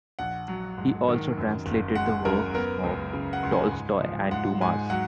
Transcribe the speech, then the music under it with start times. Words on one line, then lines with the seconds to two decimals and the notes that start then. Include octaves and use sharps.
He also translated the works of Tolstoy and Dumas.
0.19 A#1 F#5
0.48 F#3
0.78 G#2
1.08 D#3
1.37 F#2
1.66 F#1
1.95 G#3 F#5
2.25 F#2 A#4
2.55 B3 A#4
2.83 C#2
3.13 C#3
3.33 F#5
3.43 C#2
3.52 G#5
3.72 G#2
4.01 F3
4.31 G#2 F#5
4.61 G#2 G#5
4.90 F#3 F#5